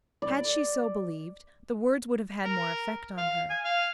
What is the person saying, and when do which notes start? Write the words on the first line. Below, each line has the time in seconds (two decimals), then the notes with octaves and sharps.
Had she so believed, the words would have had more effect on her.
0.22 D5
2.45 A#4
3.17 F5
3.50 G#5
3.64 F5